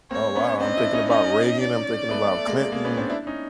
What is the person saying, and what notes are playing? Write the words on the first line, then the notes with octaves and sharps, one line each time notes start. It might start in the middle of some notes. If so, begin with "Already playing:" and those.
oh, wow, I'm thinking about Reagan, I'm thinking about Clinton.
A#3 C4 C#5
B3 C#4
C4 D4 D#5
D4 E4
C#4 D#4
C#4 D#4 D#5
D5
A3 B3
A3
A3
G#3 A#3
A3 D5
G#3 A#3
B3 C#4
C4 D4
D4 E4
C#4 D#4